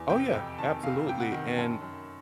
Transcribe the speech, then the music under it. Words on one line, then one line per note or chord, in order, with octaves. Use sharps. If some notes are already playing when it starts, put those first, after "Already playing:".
Oh, yeah. Absolutely, and,
Already playing: E2
C3 G5
F2 G5
D#3 A5
C3 F5
C3 G5
F#5
D#3
F#2 A5
F#2